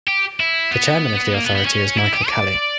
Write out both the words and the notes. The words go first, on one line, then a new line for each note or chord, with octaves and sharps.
The Chairman of the Authority is Michael Kelly.
G4
E4
B3
A#3
B3
B3
C#4
E4
G4
D5